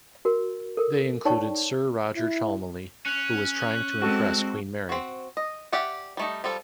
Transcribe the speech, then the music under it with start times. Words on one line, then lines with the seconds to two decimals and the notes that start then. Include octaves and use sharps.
They included Sir Roger Cholmeley, who was trying to impress Queen Mary.
0.25 F#4 A#4
0.77 A4 A#4
1.25 D#4 C#5 D5 G5 A5 C#6
2.16 E4
3.06 C#4 F#6
4.02 G#3 C4 F#4 A4
4.89 C4 F#4
5.37 D#5
5.72 G4 D5 E5 F#5
6.17 G3 A3 D#4
6.44 F3 G3 A4